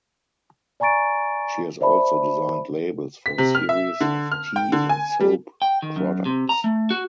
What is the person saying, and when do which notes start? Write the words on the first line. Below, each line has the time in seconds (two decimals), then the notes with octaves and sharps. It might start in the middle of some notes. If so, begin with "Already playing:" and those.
She has also designed labels for a series of tea and soap products.
0.80 D5 G#5 A#5 C#6 A6 D7
1.81 C5 D5 E5 A5 B5
3.26 B6
3.38 C3
3.55 F6
3.69 E5
4.01 D3
4.32 F6
4.56 G5
4.72 D3
4.89 G#5
5.20 G3
5.62 G5
5.82 D#3
5.96 F#2
6.25 C3
6.49 A#5
6.64 A3
6.90 F#4